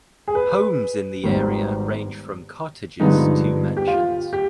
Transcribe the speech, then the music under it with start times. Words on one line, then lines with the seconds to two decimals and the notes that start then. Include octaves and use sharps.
Homes in the area range from cottages to mansions.
0.28 G#4
0.35 B4
1.23 G#1 G#2 D#3 G3 B3
3.00 G2 D3 F3 G#3 B3 D#4
3.77 G4
3.88 F4
4.33 G4